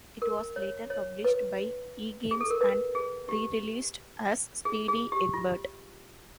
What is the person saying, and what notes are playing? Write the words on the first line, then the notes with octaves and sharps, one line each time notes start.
It was later published by eGames and re-released as "Speedy Eggbert".
A#4
C#5
C#5
B4
G#4
A4
A#4
B4
G#4
G4
G#4
G#4
G4
F4